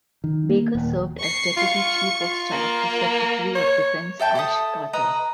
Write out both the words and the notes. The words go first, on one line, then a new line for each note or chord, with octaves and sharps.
Baker served as deputy chief of staff to Secretary of Defense Ash Carter.
D#3
A#3
D#1
C#6 C7
F4 C#6
F4
A#3
C#5
A4 E5 G5 A5
A4 E5 A5 D#6
B4 D#5 A#5